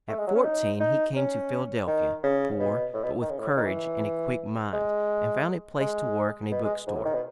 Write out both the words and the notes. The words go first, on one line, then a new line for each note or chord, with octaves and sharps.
At fourteen he came to Philadelphia, poor, but with courage and a quick mind, and found a place to work in a bookstore.
A3
G#3
F#3
C#4
D#4
D#4
C#4
D#3
C#3
B2
A2
B2
D#3
C#3
A2
C#3
D#3
E3
G#3
G#3
B2
G#3
G#2
A2
D#3
B2